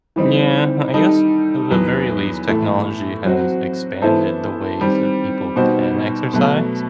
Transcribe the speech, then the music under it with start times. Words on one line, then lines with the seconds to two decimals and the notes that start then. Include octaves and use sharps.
Mm yeah, I guess, at the very least, technology has expanded the ways that people can exercise,
0.16 E3 G3 C4 D#4
0.93 D#3 G3 D#4 A4
1.71 E2 D#3 F#3 B3
2.48 A2 E3 A3
3.24 F#3 C4 F#4
4.02 E3 B3 E4 A4 C5
4.79 D#3 G3 C4
5.56 B2 G3 D#4 F#4 C5
6.33 B2 F#3 A3